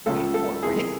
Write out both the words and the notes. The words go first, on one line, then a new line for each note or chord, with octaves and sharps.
way forward.
C#2 C#3 F3 A4
A4
E2 C3 E3 G#4